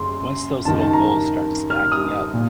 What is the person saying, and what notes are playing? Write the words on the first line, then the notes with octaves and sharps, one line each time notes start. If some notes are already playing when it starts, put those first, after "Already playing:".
once those little goals start stacking up,
Already playing: F#2 C#3 C6
F#2 D#3 A5
A5
A#5
F6
D#6
A#2